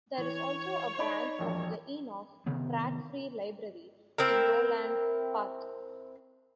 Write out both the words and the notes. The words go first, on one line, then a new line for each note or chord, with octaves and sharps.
There is also a branch of the Enoch Pratt Free Library in Roland Park.
E3 C#5
D#4 D5 B5
E1 A#1 F2
C3 D#3 B3 C4
C4 E4 A#4